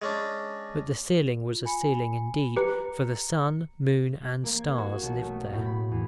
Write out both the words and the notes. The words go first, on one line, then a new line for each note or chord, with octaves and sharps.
But the ceiling was a ceiling indeed; for the sun, moon, and stars lived there.
G#3 C#4 D4
F4
G#5 B5 C#7
G4 B4 A#5 C#7
A#3
G#6
F#4
B1
A3
A2
B5
E2